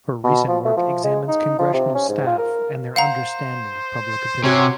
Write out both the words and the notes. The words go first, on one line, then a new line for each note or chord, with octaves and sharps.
Her recent work examines Congressional staff and their understanding of public opinion.
B2
F3
A3
F3
G#3
D#4
F3
C3
C#4
G#2
F4
A#4
C5 F5 F#5 A#5
C3 C#4 F#4 C#5 C6